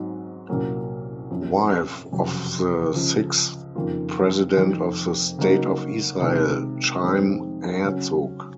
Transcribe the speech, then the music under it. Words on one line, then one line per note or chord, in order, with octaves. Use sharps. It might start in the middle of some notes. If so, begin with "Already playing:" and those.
Wife of the sixth president of the State of Israel, Chaim Herzog.
Already playing: G#2 F#3 C4 D#4
C2 A#2 F#3 A#3 C#4
F#2 F3 C4
F#1 F2 C3 F#3
C#2 C#3 F3
F#1 F2 D#3 A#3 F4
F1 F2 D#3
C#3 F#3 A#3 D#4 F#4
C3 D#3 G#3 C4
F2 D#3 G#3 C4 D#4
C#3 F#3 C#4